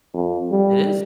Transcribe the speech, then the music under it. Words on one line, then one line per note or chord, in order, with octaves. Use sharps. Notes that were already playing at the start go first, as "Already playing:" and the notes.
It is.
F2
G3